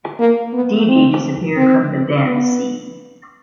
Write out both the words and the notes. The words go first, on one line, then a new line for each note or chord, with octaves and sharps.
Dee Dee disappeared from the dance scene.
A#3
B3
C4
C4
B3